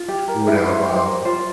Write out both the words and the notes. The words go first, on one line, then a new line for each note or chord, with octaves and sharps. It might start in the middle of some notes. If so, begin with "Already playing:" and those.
we would have, um,
Already playing: F4
G4
A#4
E4
B4
E4 C5
G4
C5
A#4
F4 C5